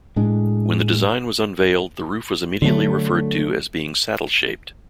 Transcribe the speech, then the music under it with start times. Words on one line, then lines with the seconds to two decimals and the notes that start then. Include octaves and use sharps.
When the design was unveiled, the roof was immediately referred to as being saddle-shaped.
0.16 A2 G#3 D4
2.62 D3 F#3 A3